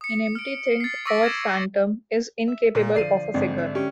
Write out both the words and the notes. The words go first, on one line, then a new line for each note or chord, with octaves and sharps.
An empty thing, or phantom, is incapable of a figure.
D#6 C#7
F6 D7
A6 C7
C#6 D6 E6 A#6 B6 D7
F6 G#6 A#6 E7
E5
A#2
D3 F3 D5 C7 D#7
G#1 D3 G#3 C4 D#4
E5 F#5
C#4 G4 G5